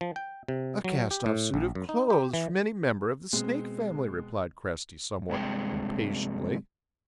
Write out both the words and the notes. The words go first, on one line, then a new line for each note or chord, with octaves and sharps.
"A cast-off suit of clothes from any member of the Snake family," replied Cresty somewhat impatiently.
F3
G5
C3
F#3
G4
A2
A#1
F#2
D#4
G4
E3
B2 G#3 C4
G2 C3 G#3 G5